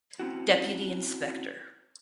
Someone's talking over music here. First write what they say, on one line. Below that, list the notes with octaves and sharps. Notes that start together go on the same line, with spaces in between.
Deputy Inspector.
C4 C#4 E4 F#4